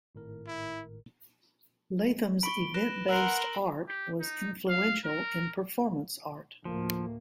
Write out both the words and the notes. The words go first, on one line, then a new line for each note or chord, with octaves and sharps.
Latham's event-based art was influential in performance art.
G#1 A2 A#4
E4
B5 C#6 D7 G7
B4 A#6 E7
A#4 F#5 C6 E6 F#6 F#7
G4
D#4
F5
A#4
D2 A2 F3 A#3